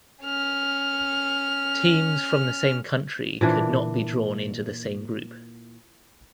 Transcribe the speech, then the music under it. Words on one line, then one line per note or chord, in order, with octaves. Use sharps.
Teams from the same country could not be drawn into the same group.
C#4 F6
A#2 E3 D4